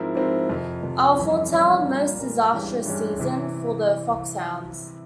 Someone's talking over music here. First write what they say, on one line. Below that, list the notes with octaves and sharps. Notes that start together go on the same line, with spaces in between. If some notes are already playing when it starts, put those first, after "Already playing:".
I'll foretell a most disastrous season for the foxhounds.
Already playing: G#2 F3 C4 E4 A#4
G#2 F3 C4 E4 A#4
F2 C3 F3
F2 C3 F3
F2 E3 G3 C#4 E4
F2 E3 G3 C#4 E4
A#2 G3 A#3 F4 A#4
A#2 G3 A#3 F4 A#4
G2 E3 G#3 C#4 G4
G2 E3 G#3 C#4 G4
C3 E3